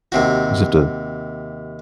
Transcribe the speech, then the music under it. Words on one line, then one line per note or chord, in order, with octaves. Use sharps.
You just have to
D#2 C3 F#4